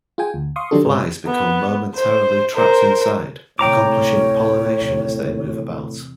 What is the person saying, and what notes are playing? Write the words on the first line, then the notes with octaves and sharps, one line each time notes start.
Flies become momentarily trapped inside, accomplishing pollination as they move about.
F4 G#4 G5 G#5
D2
F5 C6 C#6 D#6
D#3 F#3 D4 G4 A4
C2 G#2 C3
B3
C5
A#4 C5
D2 A2 C3 C#5 G5 A#5 D6
E2 C3